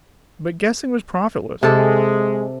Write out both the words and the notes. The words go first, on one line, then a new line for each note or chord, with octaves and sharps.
But guessing was profitless.
C3 G#3 A4